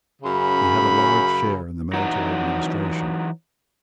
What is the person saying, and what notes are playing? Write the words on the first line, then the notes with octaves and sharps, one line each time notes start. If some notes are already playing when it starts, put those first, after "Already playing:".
He had a large share in the military administration.
F#2 C#3 B5
E3 F#3 D#4 F#5 A#5